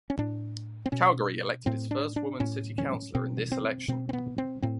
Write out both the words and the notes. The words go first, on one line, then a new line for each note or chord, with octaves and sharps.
Calgary elected its first woman city councillor in this election.
C#4
A2 D4
C4
B2 C#4
A2 C4
D4
D4
A2 C#4
C#4
B2 C4
C4
B2 C4
C4
B3
C4
A2 C4